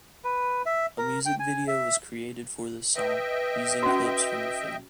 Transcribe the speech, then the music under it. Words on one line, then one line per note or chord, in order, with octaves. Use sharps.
A music video was created for this song, using clips from the film.
B4
E5
A#4
G5
G#5
E5
B4 D#5 E5 G5
C#4 F#4